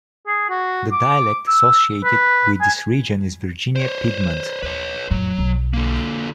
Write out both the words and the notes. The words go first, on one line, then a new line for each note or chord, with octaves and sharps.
The dialect associated with this region is Virginia Piedmont.
G#4
F#4
D6
E6
B4
G#5
C5 C#5
D#2 B4 C#5
F2 A2 F#3
B1 G#3
D3 A#3